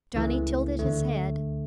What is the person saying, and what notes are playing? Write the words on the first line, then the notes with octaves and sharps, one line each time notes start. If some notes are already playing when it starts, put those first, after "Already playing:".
Johnny tilted his head.
C#2 C#3 E3 A3
D2 D3 A3